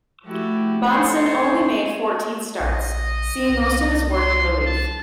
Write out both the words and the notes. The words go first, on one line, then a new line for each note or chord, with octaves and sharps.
Bahnsen only made fourteen starts, seeing most of his work in relief.
F3 A3 E4 F#4 G4
A4 C5 C#5 G#5 A#5
A#1 D#5
C2
C6
A5